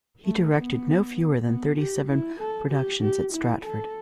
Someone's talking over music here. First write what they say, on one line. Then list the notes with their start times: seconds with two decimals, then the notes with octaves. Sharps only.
He directed no fewer than thirty seven productions at Stratford.
0.24 A3
0.55 B3
1.47 B3
1.77 G4
2.09 E4
2.39 A4
2.70 G4
3.02 G4
3.32 E4
3.63 A4